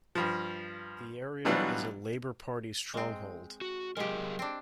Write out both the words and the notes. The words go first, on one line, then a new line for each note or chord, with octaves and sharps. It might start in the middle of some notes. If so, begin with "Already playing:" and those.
The area is a Labour Party stronghold.
G2 F3
B2 E3 F#3 G3 D4 F4
G#3 C4
F#4
F#3 G#3 G4 G#4 A#4
C4 D4